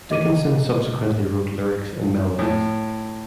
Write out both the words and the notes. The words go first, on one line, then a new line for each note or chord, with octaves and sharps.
Dickinson subsequently wrote lyrics and melodies.
D#5 D6 D#7
A2